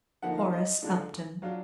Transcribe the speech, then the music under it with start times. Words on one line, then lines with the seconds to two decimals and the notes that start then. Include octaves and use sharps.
Horace Upton.
0.22 D3 F3 A#3 D#4 F#5
0.38 F5
0.53 D#5
0.82 D3 G#3 D4 F4
1.42 F#3 D4 F4 F5